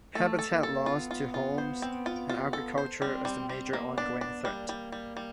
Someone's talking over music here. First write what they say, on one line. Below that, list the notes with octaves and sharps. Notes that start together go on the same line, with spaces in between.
Habitat loss to homes and agriculture is the major ongoing threat.
A3 A4
A4
A#3
A4
B3 F4
F4
F4
C5
C4
F4
F4
A4
C5
G3 C4
G3
G3
A#3 B3
D4
D4
G3 A#3
G3
G3
G3